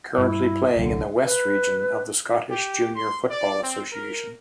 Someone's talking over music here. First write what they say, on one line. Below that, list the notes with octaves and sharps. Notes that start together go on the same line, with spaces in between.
Currently playing in the West Region of the Scottish Junior Football Association.
G2 E4
D#1 C2 D3 F#3
B4
G4
C6
D5
C4
A#4